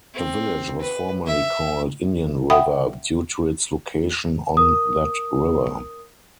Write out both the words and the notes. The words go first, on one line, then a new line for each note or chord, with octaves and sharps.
The village was formerly called "Indian River" due to its location on that river.
C4
B4
E5
E5 F#5 G5 B5 D#6
A#4 D#6